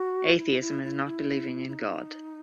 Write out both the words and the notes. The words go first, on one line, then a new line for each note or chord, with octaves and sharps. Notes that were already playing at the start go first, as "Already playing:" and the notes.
Atheism is not believing in God ...
Already playing: F#4
E4
E4
E4
E4
E4
D#4